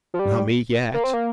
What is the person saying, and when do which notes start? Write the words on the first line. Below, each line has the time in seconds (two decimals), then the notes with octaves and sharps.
Not me, yet.
0.14 F3
0.19 G3
0.94 A#3
1.04 C4
1.14 A#3